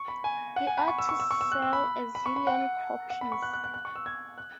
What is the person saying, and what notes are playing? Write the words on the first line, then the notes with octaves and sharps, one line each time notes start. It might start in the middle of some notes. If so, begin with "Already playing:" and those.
He ought to sell a zillion copies.
Already playing: C#6
B5
G#5
F#5
G#5
B5
C#6
E6
C#6
E6
C#6
E6
F#6
E6
B5
B5
C#6
B5
F#5
F#5
B5
C#6
F#6
F#6
F#6
F#6
C#6
E6
G#6
F#6